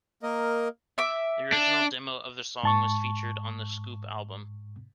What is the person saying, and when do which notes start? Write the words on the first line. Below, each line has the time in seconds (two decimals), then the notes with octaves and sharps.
The original demo of the song, was featured on the "Scoop" album.
0.23 A#3 A#4 D#5
0.98 E5 D6
1.52 D4
2.63 G#2 A5 C#6